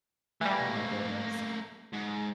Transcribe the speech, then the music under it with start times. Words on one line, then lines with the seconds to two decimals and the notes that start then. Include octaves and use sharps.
Oh my goodness.
0.41 E3 G3 A3 A#3
1.93 G#2